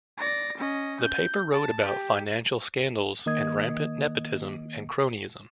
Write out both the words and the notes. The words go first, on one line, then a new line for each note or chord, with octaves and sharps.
The paper wrote about financial scandals and rampant nepotism and cronyism.
D5 A#6
C#4 D#5
G6
A5
G4
D#3 A#3 D#5 D#6 G#6